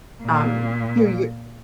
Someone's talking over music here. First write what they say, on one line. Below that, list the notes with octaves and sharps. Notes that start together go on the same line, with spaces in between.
um, you you
A#2